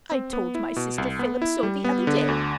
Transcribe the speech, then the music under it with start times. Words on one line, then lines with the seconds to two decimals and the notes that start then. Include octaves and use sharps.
I told my sister Phillips so the other day.
0.11 C4
0.33 B3
0.55 E4
0.76 B2
0.98 C2
1.19 B3
1.42 E4
1.63 G3
1.84 B3
2.07 D3
2.28 D2